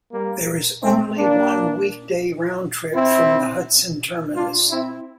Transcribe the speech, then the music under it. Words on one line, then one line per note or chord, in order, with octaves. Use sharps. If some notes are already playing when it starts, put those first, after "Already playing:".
There is only one weekday round trip from the Hudson terminus.
G3 A#3
A3 C4
A#3 D4
C4 E4
D4 F4
C4 E4